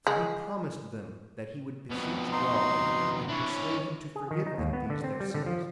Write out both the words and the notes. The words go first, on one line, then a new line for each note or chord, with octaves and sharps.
So he promised them that he would beseech God, and persuade him to forgive them these their sins.
G#3
F2 B2
D#4 C6
D4 E4 C#5
G#4
D#3
D#4
D#2
B3
D3
C4
G3
D3
F3